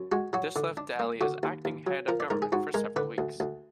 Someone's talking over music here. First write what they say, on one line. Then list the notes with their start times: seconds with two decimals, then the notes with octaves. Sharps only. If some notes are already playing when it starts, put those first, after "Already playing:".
This left Daly as acting head of government for several weeks.
Already playing: F#2
0.12 G#3 F#4
0.33 F#3 F#4
0.56 D3
0.77 D4
1.00 A#3
1.21 D3 F#4
1.43 D#2
1.65 D#2
1.87 F#3
2.08 F3 A#4
2.20 D5
2.30 G#2 A#4
2.42 G#4
2.52 G#2 F#4
2.74 G#3 A#4
2.96 D3 B4
3.18 D2
3.40 D2